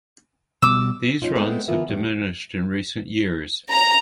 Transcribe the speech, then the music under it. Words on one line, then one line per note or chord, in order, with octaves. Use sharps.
These runs have diminished in recent years.
B2 G3 D6 E6
F2 C#4 D#4 F4
G#3 A3 B3 C4
D3 E3 B3 F4 A#4 E5
E2 A2 G3
A#5